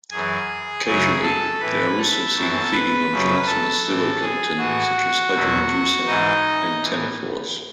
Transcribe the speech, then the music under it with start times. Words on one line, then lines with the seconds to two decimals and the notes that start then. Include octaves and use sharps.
Occasionally, they are also seen feeding on gelatinous zooplankton such as hydromedusae and ctenophores.
0.11 F#2 E3 G#4 G#5
0.86 F#2 C#3 F#3 G#4 G#5
1.23 A4 A5
1.60 A2 E3 B4 B5
1.98 A4 A5
2.34 F#2 E3
2.71 B4 B5
3.09 F#2 C#3 F#3
3.47 A4 A5
3.84 A2 E3
4.21 G#4 G#5
4.57 A2 E3 F#4 F#5
5.33 E2 B2 F#3
6.06 G#2 E3 D#4 D#5
6.81 A2 E3